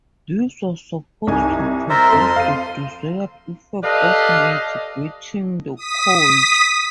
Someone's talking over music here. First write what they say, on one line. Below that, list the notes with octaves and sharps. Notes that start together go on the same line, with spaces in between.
This was supposed to produce the desired effect of mitigating the cold.
C2 D#4 G#5
A#4 C5 E5 A6
F2 A4 C5 C6
F5 D#7
G4 A4 B4 D5 D#5 F5
D#6 B6